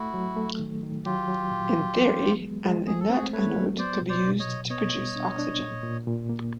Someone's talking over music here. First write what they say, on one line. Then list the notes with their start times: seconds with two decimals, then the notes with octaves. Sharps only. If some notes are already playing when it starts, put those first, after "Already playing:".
In theory an inert anode could be used to produce oxygen.
Already playing: A3 E4 F#4
0.14 F#3
0.37 A3
0.59 D#3
0.83 D#3
1.05 F#3 F4 G4
1.28 F#3
1.51 A#2
1.74 F#3
1.97 E3
2.20 B3
2.42 G#3
2.65 G#3
2.87 A3 G#4
3.00 A4
3.10 C4 F#4 G#4
3.33 A3 B4 C#5
3.56 F#3
3.78 B3 C5 D5
4.02 B2
4.09 C5 D5
4.24 B2
4.39 C#5 D#5
4.47 B2
4.70 B3 C#5 D#5
4.92 G3
5.16 D4
5.39 D4
5.61 A#2
5.83 A#2
6.07 A#2
6.29 A#3